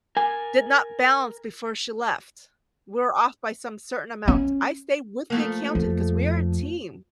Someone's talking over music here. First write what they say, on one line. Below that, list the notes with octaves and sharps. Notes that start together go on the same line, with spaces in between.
did not balance before she left. We're off by some certain amount. I stayed with the accountant 'cause we are a team.
A#4 G#5
C#4
F3 A3 A#3
F2